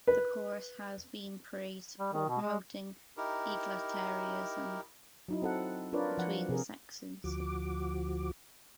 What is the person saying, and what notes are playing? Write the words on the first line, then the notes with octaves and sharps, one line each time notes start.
The chorus has been praised for promoting egalitarianism between the sexes.
B4
G3
D#3
B2
G#3
D#4 E4 G4 A#4
F#3 D#4 E4
C4 A4 F#5
D4 F4 A#4 B4 C#5 D5
F3 F#5
C3 G#4 A#4
D2 F3 F#4 D6